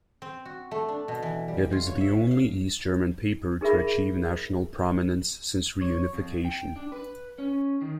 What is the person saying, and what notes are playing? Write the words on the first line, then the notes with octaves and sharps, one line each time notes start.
It is the only East German paper to achieve national prominence since reunification.
C4
F#4
A3
D4
B2
E3
G3
F4
C#5
E5
F5
D#4 G#4 A#4 E5 B5
C#5
F2
G5
D4
B4
C#4
D#3